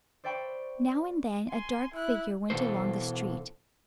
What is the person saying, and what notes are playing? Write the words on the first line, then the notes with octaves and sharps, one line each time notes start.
Now and then a dark figure went along the street.
C5 D5 E5 G5 B5 C#6
G#5 C6
E4 F#6
B2 E3 A4 C5